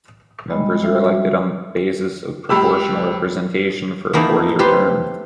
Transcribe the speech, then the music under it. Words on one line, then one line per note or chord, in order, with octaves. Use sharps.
Members are elected on the basis of proportional representation for a four-year term.
G3 G#3 D#5 B5
G3 D4 F#4 E5
C#2 G4 B5 E6
E2 A3 A#3 D#4 E4
F4 G4 B4 C5